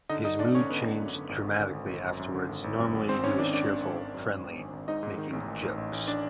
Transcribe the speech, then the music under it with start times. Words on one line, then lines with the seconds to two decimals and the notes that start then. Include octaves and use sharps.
His mood changed dramatically afterwards - normally he was cheerful, friendly, making jokes.
0.10 D3 D#4 D#5
0.24 D3 D#4 D#5
0.39 G#1 D4 D5
0.54 D3 C#4 C#5
0.69 D3 B3 B4
0.85 D3
1.00 F#2
1.15 D3
1.29 G#1
1.45 D3
1.60 D3
1.74 G#1
1.90 G#1
2.04 F#2
2.19 F#2
2.34 D3
2.49 G#1
2.64 G#1
2.79 F#2
2.95 G#1
3.09 G#1 C4 C5
3.24 G#1 C#4 C#5
3.39 D#3 D4 D5
3.54 D#3 D4 D5
3.69 G#1
3.83 G#1
3.99 G#1
4.14 F#2
4.29 G#1
4.44 G#1
4.59 G#1
4.73 G#1
4.88 G#2 D#4 D#5
5.03 G#2
5.18 D#3
5.33 A1
5.48 A1
5.63 A1
5.78 A1
5.93 A1
6.08 D4 D5